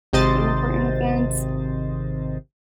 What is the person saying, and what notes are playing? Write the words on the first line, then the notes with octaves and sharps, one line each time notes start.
during important events?
G#1 C3 C5 D#5 A6